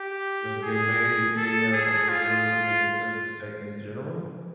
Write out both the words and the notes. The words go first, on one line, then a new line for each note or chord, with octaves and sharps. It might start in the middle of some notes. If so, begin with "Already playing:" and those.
just again made me have, like, this really big interest in tech in general,
Already playing: G4
G#4
A4
G#4
F4